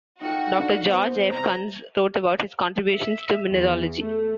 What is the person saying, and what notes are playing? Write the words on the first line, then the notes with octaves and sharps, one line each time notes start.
Doctor George F. Kunz wrote about his contributions to mineralogy.
D#4 F4 F#4 A4 G5
D4
G#2 B3 C5
C3 A#5
E5
E2
A3